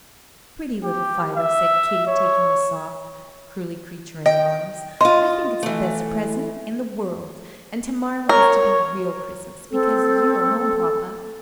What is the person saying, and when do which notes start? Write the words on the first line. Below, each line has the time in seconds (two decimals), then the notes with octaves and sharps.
"Pretty little Fido," said Kitty, taking the soft, curly creature in her arms; "I think it's the best present in the world, and to-morrow is to be real Christmas, because you are home, papa."
0.83 G4
1.37 E5
2.07 C#5
4.26 D#5 G5
5.01 F4 D#5 C6
5.63 E3 A3
8.29 A#4 C#5
9.71 C4 A4